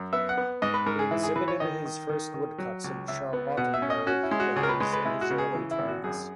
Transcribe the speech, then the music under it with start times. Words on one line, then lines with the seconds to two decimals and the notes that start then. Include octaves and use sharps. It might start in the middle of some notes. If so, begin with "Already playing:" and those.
He exhibited his first woodcuts at Charlottenborg when he was in his early twenties.
Already playing: F#2
0.13 B3 E5
0.29 F#5
0.37 B3
0.62 G#2 D#5
0.74 B4
0.86 G#2 A#4
0.99 G#4
1.11 E3 E4
1.23 G#4
1.36 E3 B4
1.48 C#5
1.60 D#3 D#5
1.85 D#3
2.09 D#3
2.34 D#3
2.58 F#3
2.84 C#2
3.08 C#2 E5
3.33 B3
3.57 B2 F#5
3.74 E5
3.82 C#4
3.90 D#5
4.07 C#4 F#4
4.23 E4
4.31 G#3
4.40 F#4
4.56 C#2 G#4
4.63 A#4
4.69 B4
4.80 G#3 B4
4.93 B4
5.05 G#3 E4
5.21 F#4
5.31 C#3
5.38 G#4
5.55 E3
5.71 E4
5.79 G#1
5.88 F#4
6.04 F#2 G#4